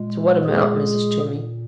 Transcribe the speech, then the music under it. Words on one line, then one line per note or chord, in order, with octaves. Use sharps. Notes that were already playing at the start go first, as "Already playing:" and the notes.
"To what amount, Mrs. Toomey?"
Already playing: A#2 G#3
G#3 G#4